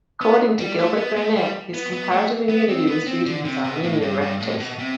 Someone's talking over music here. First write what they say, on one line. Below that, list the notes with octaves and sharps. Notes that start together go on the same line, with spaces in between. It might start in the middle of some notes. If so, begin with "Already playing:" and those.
According to Gilbert Burnet, his comparative immunity was due to his Arminian reputation.
B3
G3
A3
B3
A3
G3
B3
B3
A3
B3
C4
B3
C4
D3
C3
B2
A2
G2
G2
A2
B2
C3